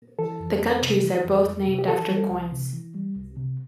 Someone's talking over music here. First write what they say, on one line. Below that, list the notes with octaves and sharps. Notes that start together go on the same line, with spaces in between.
The countries are both named after coins.
E3 A4
F2
F2
C3
E3
F2
F2
C3
G4
E3 A4
G3
C2
C3
E3
G3
C2
C3